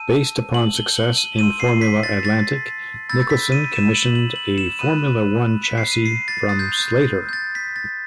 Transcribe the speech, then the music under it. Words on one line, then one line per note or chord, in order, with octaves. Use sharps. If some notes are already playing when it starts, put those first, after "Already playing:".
Based upon success in Formula Atlantic, Nicholson commissioned a Formula One chassis from Slater.
Already playing: A5 E6 G6 D#7
F#7
G7
F#7
D#7
C6 E6 G6 D#7
C7
B6
A6
A6
B5 E6 G6 A6
B6
D#7
E7
F#7
F#7
F#7
E7
B5 D#6 F#6 D#7
B6
C7
D#7
C7
A6
C6 D#6 F#6 A6
G6
G6
G6
A6
B6
A6